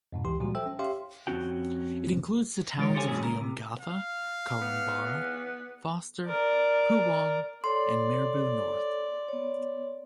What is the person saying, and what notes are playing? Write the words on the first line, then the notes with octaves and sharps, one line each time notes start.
It includes the towns of Leongatha, Korumburra, Foster, Poowong and Mirboo North.
F2 G#2 B2
C#2 E3 G4 C6
A#2 F3 G3 G#3 F#4
A4 C5 E5 G5 E6
C#4
G4 C#5 E5 F5 C6
F2 G3 C4 C#4 F#4 G5
E3 G#3 F4 G#4 A#4 C#5
G4 A4 C5 C#5 F#5 G#5
G#2 B2 E3 F#3 C#4 G#4
C#2 A#4
C3
F5
B3
A#4 D5
A4 C#5 D5 C6
B3 C#5